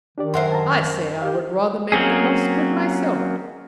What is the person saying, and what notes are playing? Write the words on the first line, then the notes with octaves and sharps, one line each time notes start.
I say I would rather make the loss good myself.
D#3 D4 G4 D5
F#2 A#4 C5 E5 F#5 C6
A5 A#5
G4 F5
F#3 A#3 C4 C#4 G#4